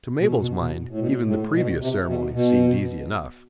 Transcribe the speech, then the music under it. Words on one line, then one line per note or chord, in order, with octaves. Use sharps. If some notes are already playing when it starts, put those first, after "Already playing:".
To Mabel's mind even the previous ceremonies seemed easy enough.
B2
B2
B2
A2
B2
A2
B2
C3
B2
B2